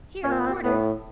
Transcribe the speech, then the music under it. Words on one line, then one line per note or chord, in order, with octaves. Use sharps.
Here, porter!
A#2 C#4
C4
B3
C4
A2 B3